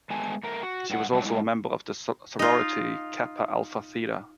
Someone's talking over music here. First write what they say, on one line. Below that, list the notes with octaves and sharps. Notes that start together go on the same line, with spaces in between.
She also was a member of the sorority Kappa Alpha Theta.
G#3 A3 B3 G#4 G#5 A5
A3 A#4
F#4
G2 F#4 F#5
F#3 G3 A3 D4
G#3 A3 E4
D#4 F4